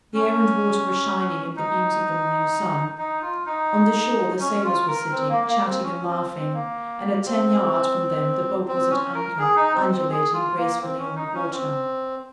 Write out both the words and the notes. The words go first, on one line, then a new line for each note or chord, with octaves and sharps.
The air and water were shining in the beams of the morning sun; on the shore the sailors were sitting, chatting and laughing; and at ten yards from them the boat was at anchor, undulating gracefully on the water.
C#4
D#4
D#4
F4
D#4
C#4
F4
A#4
C4
A#3
A#3
C4
C#4
C4
C4
A#3
C4
C4
C#4
A#4
G#4
D#4
C4
C4
G#4
F4
A#3
C4
C#4
D#4
C#4
C4